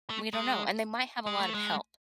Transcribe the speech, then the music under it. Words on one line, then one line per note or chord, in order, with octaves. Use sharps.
We don't know, and they might have a lot of help
A3
G#3
G#3
A3
G#3